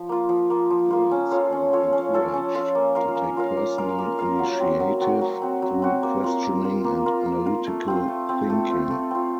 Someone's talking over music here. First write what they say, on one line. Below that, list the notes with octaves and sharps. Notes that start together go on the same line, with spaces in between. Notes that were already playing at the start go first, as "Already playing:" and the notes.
Girls are encouraged to take personal initiative through questioning and analytical thinking.
Already playing: F3
A#3 F4
F3
A#3 F4
F3
A#3 F4
C#4
F4 A4 C#5
C#4
F4 A4 C#5
C#4
F4 A4 C#5
C#4
F4 A4 C#5
A#3
F4 A#4 F5
A#3
F4 A#4 F5
A#3
F4 A#4 F5
A#3
F4 A#4 F5
F#3
C4 F#4
F#3
C4 F#4
F#3
C4 F#4
F#3
C4 F#4
A#3
F4 A#4
A#3
F4 A#4
A#3
F4 A#4
A#3
F4 A#4
A3
C4 F4
A3
C4 F4
A3
C4 F4
A3
C4 F4